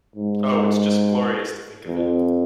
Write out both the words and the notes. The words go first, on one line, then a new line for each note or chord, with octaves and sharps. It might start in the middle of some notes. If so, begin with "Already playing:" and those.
Oh, it’s just glorious to think of it.
G#2
F2